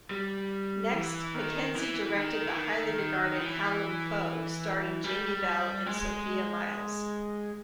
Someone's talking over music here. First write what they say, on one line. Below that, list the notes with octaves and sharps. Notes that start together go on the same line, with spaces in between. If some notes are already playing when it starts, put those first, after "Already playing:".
Next, Mackenzie directed the highly regarded "Hallam Foe", starring Jamie Bell and Sophia Myles.
G3
E3
D#3
E3
D#3
E3
D#3
D#3
E3
G3
G#3